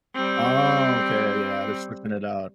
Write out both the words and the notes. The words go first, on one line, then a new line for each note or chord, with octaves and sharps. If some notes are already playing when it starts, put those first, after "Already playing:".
Okay, yeah, they're switching it out.
G3 C4